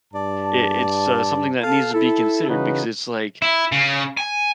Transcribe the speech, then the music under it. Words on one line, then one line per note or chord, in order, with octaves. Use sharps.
I it's, uh, something that needs to be considered because it's like,
G2 D5 A5
A4 F5 A5
E4 A4
C#3 E3 D#4 F#4 B4
E4
C#3
G#5